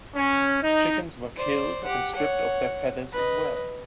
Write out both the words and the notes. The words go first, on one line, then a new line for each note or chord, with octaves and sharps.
Chickens were killed and stripped of their feathers as well.
C#4
D#4
C5 D5
G4 F#5
C#5 F#5
B4 D#5